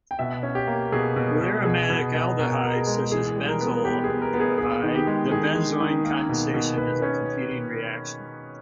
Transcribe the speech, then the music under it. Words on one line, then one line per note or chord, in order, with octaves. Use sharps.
With aromatic aldehydes such as benzaldehyde, the benzoin condensation is a competing reaction.
G5
B2 E5
C#4
G4
A#3
B2 G#4
B2
B2
B2 G#4
B2
B2
B2 A#4
B2 A#4
G#4
G#3
E3 G#4
G3
A#4
B3
B3 G4
G#4
B3
A#4
B3
G#4
B3 G#4
D#3
G4
G#3
D#3 G#4
G#3
D#3
A#3
B2
B2
B2 B4
C#4